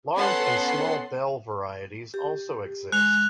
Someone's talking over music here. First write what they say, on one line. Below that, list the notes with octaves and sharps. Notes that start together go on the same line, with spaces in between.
Large and small bell varieties also exist.
B3 C#4 A4 F#5 C6 C7
G4
G#3 F#6 F7